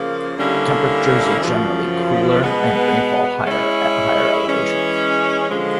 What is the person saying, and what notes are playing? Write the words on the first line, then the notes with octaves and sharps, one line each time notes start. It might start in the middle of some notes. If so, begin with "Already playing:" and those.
Temperatures are generally cooler and rainfall higher at higher elevations.
Already playing: C#3 F3 A#3
D3 G3 A#3 C#4 E4
F#2 C#3 F3
B2 G#3 B3
G#3 C#4 E4
E3 G#3 C#4
D3 F3 G#3